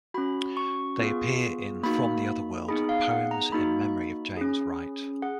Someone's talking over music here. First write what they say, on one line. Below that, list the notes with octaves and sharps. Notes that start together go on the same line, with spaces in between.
They appear in "From the Other World: Poems in Memory of James Wright".
C#4 F#4 B5
C#6
B3 F4 G#4
A#3 D#4 F#4 B5
B3 D#4 G#4 B5
F5
F#5
A#5
A#3 D#4 F#4 B5
C#4 G#4
G#4 F#5